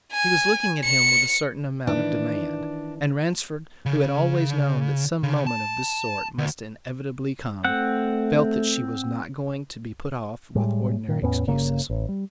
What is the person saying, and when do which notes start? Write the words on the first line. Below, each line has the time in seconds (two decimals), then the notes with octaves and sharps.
She was looking at him with a certain amount of demand--and Ransford, who had always known that some moment of this sort must inevitably come, felt that she was not going to be put off with ordinary excuses.
0.12 G#5
0.84 C#7
1.87 D#3 E3 D4
3.86 C#3
5.23 C#3
5.47 A5
6.38 D2
7.64 A3 C4 F#5
10.55 A2 G3 G#3
11.08 A#2 D#3
11.22 E2 A2 B3 C#4
11.47 G1 C#3 A#3
11.90 A1
12.09 G3